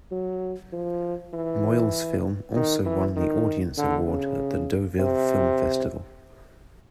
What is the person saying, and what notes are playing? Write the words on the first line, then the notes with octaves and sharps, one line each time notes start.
Moyle's film also won the Audience Award at the Deauville Film Festival.
F#3
F3
E3
D#3
E3
D#3
D3
C#3
C3